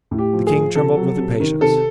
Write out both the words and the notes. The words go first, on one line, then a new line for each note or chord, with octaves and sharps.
The king trembled with impatience.
A2
G4
F3
G#4
F3
C3 A4
F#3
C3
D#3
C3 A4